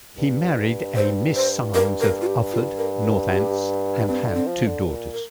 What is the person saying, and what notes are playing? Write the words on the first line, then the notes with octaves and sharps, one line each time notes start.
He married a Miss Symes of Ufford, Northants, and had two daughters.
G2
C5
C5
G2 A#4
A#4
F4
G4
F4
A#4
A#4
G4
G2 C4
D3
C4
F3
D3
A#2
A#4